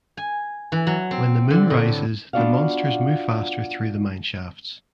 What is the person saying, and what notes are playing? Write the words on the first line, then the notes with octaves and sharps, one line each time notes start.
When the moon rises the monsters move faster through the mine shafts.
G#5
E3
F#3
C4
D3
A2
B3 D4 F4 F#4 D5 F5